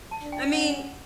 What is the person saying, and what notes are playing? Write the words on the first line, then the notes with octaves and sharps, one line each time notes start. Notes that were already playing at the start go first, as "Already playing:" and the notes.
I mean,
A5
D4
G5
C#4 F#5